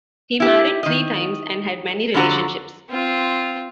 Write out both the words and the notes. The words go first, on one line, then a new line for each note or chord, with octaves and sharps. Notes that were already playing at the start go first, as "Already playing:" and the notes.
He married three times and had many relationships.
E4 G4
D#3 D#5
F2 D3 F#3 G3 F#4 A#5
C4 F4